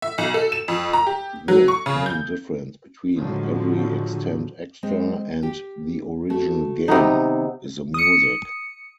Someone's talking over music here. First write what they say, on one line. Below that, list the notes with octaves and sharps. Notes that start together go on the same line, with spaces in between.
The main difference between "Every Extend Extra" and the original game is the music.
E5
B1
A4
E7
F2
A#5
G4
F#3
C#6
C#3
G6
A2 D3 F3 F#3 G#3
G#3 C4
G4
A3 F#4 A4
C3 D#3 B3 D#4
D#6 C#7